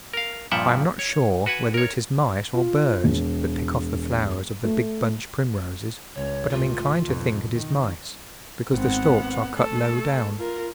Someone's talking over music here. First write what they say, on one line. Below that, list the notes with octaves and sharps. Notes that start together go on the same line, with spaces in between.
I am not sure whether it is mice or birds that pick off the flowers of the big bunch Primroses, but am inclined to think it is mice, because the stalks are cut low down.
A#4 F5
G2 A#2 F3 E5 F#5 G5
C#5
F#4 B4 F#5 G#5
A#4 C#5
F4
E1
A3
C#2 C#5
C#2 A2 F4
B1 F2
D#3
G#1 B3 C4 F#5
A3 A4
F4 A#4